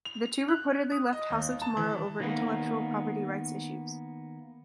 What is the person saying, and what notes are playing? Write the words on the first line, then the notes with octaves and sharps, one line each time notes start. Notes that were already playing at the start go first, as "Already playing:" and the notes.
The two reportedly left House of Tomorrow over intellectual property rights issues.
F7
F#6
D#6
D#5
D#2
A5
E3
D#3 A#3 B3